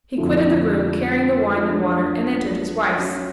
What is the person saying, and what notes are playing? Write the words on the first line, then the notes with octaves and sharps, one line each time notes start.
He quitted the room, carrying the wine and water, and entered his wife's.
F2 D3 F3 A3
F3 A3 D4
F#3 C#4 F#4